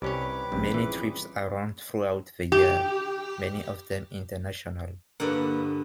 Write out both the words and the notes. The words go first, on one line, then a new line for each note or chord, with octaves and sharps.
Many trips are run throughout the year, many of them international.
C2 C#4 G4 B4 C#5 D6
A#1 G2 G3 C4 C#4
E3 G#3 F4 G#4
G4
G2 D3 A#3 B4 F#5